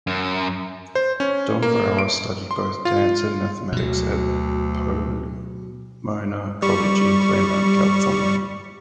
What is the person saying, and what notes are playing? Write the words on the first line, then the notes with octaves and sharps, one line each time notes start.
Dombrower studied both dance and mathematics at Pomona College in Claremont, California.
F#2
C5
C#4
A#3
D7
C6
F4
D2 B2 F#3
G3 C#6